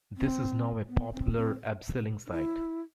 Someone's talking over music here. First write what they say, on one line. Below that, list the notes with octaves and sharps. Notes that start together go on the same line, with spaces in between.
This is now a popular abseiling site.
C4
B3
C4
C4
D4
E4